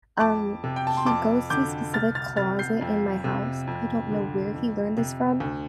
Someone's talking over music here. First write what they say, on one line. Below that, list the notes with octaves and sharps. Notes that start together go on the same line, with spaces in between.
um, he goes to a specific closet in my house, I don't know where he learned this from,
F2 A5 D6
C3
G5
A5
C6
F2 A5 D6
D3 D6 G6
C2 F6 A6
F6 A6
C3 F6 A6
G6 C7
F2
C3
F2
D3
F2
C3
D2